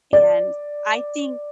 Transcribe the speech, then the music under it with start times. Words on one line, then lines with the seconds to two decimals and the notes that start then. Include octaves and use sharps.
and I think
0.13 D5